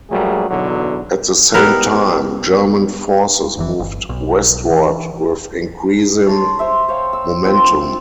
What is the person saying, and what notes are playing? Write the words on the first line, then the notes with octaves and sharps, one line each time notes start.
At the same time, German forces moved westward with increasing momentum.
A#1 F#3 G3 A3 A#3 G#4
B1 E2 B2 D3 F#3
G3 B3 E4 A#4
F1 E3
G1
B1
E3
C#5 A5 A#5 C6
C5 E5
C5 C#5 F5 G5
E6
C4 F4 C6 E6